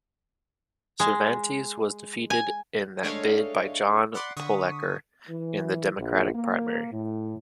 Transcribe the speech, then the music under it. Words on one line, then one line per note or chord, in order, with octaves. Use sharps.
Cervantes was defeated in that bid by John Poelker in the Democratic primary.
G#3
G#5
G#3 A3 D4 C#5 D#5 F5
D5 F#5 B5 C6 D6
D3 C#6 D#6 B6
E3
A#1
A#3
A2